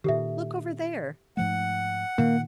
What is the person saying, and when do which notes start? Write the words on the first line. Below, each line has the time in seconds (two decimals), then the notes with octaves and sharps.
Look over there!
0.04 A#2 D#3 G4 A4 E5
1.37 G#2 F3 A3 F#5
2.18 A#2 D#3 A#3